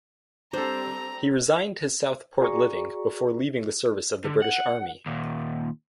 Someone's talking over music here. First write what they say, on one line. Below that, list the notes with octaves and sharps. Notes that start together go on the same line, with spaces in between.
He resigned his Southport living before leaving the service of the British Army.
G3 C4 D4 A4 C5 A#5
F#4 G#4 D5 A#5 C#6
D3
F#5
D#2 A#2